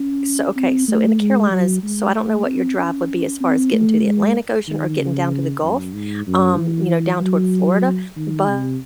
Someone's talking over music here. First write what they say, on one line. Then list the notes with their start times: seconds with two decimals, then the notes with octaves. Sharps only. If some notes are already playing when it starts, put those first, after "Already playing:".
so okay, so in the Carolinas, so, I don't know what your drive would be as far as getting to the Atlantic Ocean or getting down to the Gulf, um, you know, down toward Florida, but
Already playing: C#4
0.56 C4
0.88 A3
1.20 G#3
1.51 F#3
1.83 G#3
2.15 A3
2.46 C4
2.79 C#4
3.41 C4
3.73 A3
4.05 G#3
4.68 D#3
4.99 C#3
5.63 F#2
5.94 G#2
6.27 F#2
6.58 E3
7.21 F#3
8.16 D#3
8.48 C3